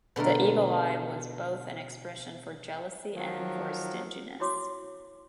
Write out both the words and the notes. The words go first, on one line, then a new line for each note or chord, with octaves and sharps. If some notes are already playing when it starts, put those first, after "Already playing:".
The evil eye was both an expression for jealousy and for stinginess.
B2 D3 A3 A#4
D#3 F3 F#3
E4 F#4 C#5 C6 D6